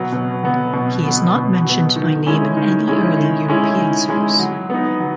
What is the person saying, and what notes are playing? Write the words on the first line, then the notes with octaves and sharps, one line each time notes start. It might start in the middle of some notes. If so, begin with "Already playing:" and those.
He is not mentioned by name in any early European source.
Already playing: B2 F#3 B3
B2
F#3 B3
B2
F#3 B3
B2
F#3 B3
D#3
G#3 C#4 E4
D#3
G#3 C#4 E4
D#3
G#3 C#4 E4
D#3
G#3 C#4 E4
F#3
B3 D#4
F#3